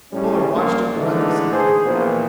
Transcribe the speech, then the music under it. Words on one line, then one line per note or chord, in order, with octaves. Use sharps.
Fuller watched it breathlessly.
A2 G3 C#4
A#1 A#2
D3 E3 G#3 A3 D#4
G#4 C5
A#1 A#2 E3 B3 C5